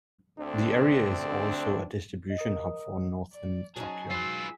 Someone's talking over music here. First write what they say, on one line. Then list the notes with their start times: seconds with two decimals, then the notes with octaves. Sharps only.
The area is also a distribution hub for northern Tokyo.
0.39 D2 D3 C4 D4
3.33 D5
3.76 F#3 C#4 D#4 G#4 A5
4.10 F4 B4 E6